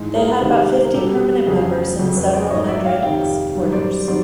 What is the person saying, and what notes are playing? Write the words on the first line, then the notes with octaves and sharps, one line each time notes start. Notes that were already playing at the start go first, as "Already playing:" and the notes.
They had about fifty permanent members and several hundred supporters.
Already playing: G#2 E3 G#3
G#4 A#4
C3 D#3 G#3
A#4
B2 G3 G4 A4
F2 C#3 F#3 A3 G#4
F2 C#3 F#3 A3
B4 C#5
C5 D5
G#2 F3 A3 C#5 D#5
D5 E5
F5 G5
F2 C3 D#3 F5 G5
F#2 D#3 G3
C5 D5
C3 D#3 F#3 C5 D5